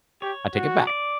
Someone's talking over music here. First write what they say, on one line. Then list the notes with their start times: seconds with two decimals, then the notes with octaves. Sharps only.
I take it back."
0.22 G4 C#5
0.54 F#4
0.87 D5